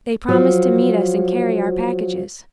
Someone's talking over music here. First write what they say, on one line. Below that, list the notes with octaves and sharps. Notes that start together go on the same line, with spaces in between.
"They promised to meet us and carry our packages."
F3 F#3